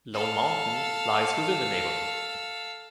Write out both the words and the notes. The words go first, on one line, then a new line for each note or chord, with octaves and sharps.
Lone Mountain lies within the neighborhood.
A4 F5